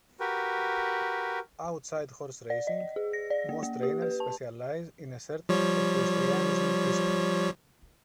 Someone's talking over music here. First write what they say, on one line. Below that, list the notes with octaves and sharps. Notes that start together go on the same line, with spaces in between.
Outside horse racing, most trainers specialize in a certain equestrianism discipline.
F#4 G4 A#4 B4
D5
D#5
G#4
A#6
D5
A#3
A#3
G4
B4
A5
F3 G3 C#5